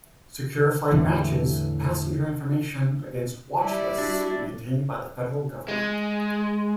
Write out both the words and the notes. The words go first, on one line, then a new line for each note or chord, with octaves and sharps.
Secure Flight matches passenger information against watch lists maintained by the federal government.
E2 A2 D3 E3
G3 E4 D5
D4 F#4
G#3